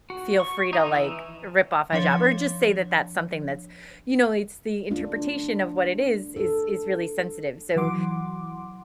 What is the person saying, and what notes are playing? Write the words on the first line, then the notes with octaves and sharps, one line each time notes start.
feel free to, like, rip off a hijab or just say that that's something that's you know, it's the interpretation of what it is, is is really sensitive. So
F#4
C#6
D#4
E3
F3 D4 C#5
A3 D4 F4
A4
E3 F#3 F#5 C6 D6